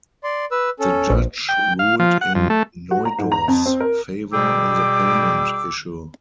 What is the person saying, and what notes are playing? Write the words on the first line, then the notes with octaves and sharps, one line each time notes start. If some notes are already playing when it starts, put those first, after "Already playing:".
The judge ruled in Neudorf's favour on the payment issue.
D5 C6
B4 E6
C#4 A4
A#1
G5
F5
F3
F#5
F2
A3
F#4
A#5
G#2
A#5
F2
C4
A#4
B2 G3 G#4 G5 D6 E6